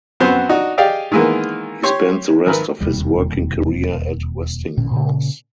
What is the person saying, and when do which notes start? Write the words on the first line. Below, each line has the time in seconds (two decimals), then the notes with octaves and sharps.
He spent the rest of his working career at Westinghouse.
0.20 F#2 B3 C4 F#4 C5 C6
0.49 D4 D#4 F#4
0.78 G4 G#4 D5 D#5 F5 G5
1.12 D#3 E3 G#3 A#3 B3
1.83 G4 C#5 C6
2.46 G#1 A#4 B4
2.81 E1 D#2 C3 G3
4.77 A1 A#2 D3 C#4
4.91 A#2 C#3